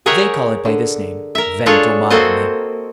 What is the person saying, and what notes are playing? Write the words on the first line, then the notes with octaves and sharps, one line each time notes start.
They call it by this name--Ventomarme.
G#4 A#4 C#5 E5 F#5 G5
D3
A#4 E5
D4 F4 G#4 A4 C#5
A#3 C4 F#4 A4 C5 D#5